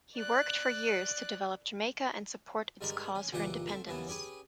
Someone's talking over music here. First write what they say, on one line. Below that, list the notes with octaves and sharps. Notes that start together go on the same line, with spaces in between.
He worked for years to develop Jamaica and support its cause for independence.
D5 F#6
G2 G#3 A#4 B5
C#4
C#2 A#2 E3 G4 F#5 D6
A3 C4
D#2 C#3 E3 B3 E4
C#4 G4 G#4 B4